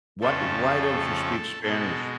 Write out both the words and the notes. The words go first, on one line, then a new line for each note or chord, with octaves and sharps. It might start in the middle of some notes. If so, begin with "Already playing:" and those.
Why why don't you speak Spanish?
F2 C#3 F3 A3 A4
B2 G#3 A4